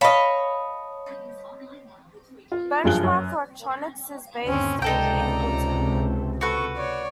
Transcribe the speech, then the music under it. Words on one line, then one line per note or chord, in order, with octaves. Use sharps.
Benchmark Electronics is based in Angleton.
C#5 D#5 F5 A5 B5
F4
F#1 G2 F3 G#4 F#6 G7
F#2
G1 D#2 C4 C#4
C#2 C3 D#4 A4 D5 G5 A#5
F#4 A4 B4 C#6
C#5 D5